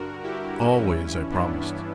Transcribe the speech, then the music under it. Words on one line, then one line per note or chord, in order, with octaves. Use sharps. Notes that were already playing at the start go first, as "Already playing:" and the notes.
"Always," I promised.
Already playing: G2 D3 F#4 A#4
E4 G4
G2 E3 C#4 E4
B3 D4